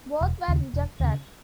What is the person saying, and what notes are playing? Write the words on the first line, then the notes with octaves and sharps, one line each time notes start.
Both were rejected.
E1
D#2 C#3
E1
D#2 C#3